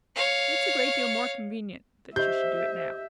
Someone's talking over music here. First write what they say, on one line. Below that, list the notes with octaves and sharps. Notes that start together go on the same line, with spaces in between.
It's a great deal more convenient that she should do it now.
C#5 F5
G4 C5 D#5 E5 G6